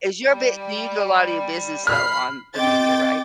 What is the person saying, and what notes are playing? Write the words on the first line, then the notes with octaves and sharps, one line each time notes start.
Is your bi do you do a lot of your business though on the media, right?
G3
B5 F6 C7
C4 D#5 G5 D6 A6